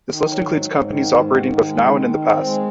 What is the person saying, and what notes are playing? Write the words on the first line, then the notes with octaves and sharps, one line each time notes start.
This list includes companies operating both now and in the past.
D#3
F#3
G#2
G#2
D#3
G#2
D#3
D#3
G#3
D#3
D#3
C4
G#3